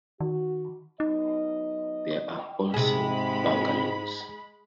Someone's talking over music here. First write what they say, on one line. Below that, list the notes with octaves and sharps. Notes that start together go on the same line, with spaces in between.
There are also bungalows.
D#3 F#4
F#3 B3 D#4 D#5
G#2 C3 G#3 G#4 B5